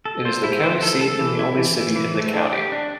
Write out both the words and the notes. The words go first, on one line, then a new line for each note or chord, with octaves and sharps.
It is the county seat and the only city in the county.
A4
C5
E4
C5
A4
A4
E3
E4
E3
E3
E3
A3
D4
G4
D4